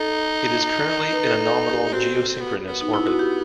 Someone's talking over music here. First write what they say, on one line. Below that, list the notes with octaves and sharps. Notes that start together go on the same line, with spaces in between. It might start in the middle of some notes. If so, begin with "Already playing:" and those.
It is currently in a nominal geosynchronous orbit.
Already playing: D#4 A4
B4
A4
A4
G4
C4 F#4
C4
B3
B3
D#4
E4
F#4
G4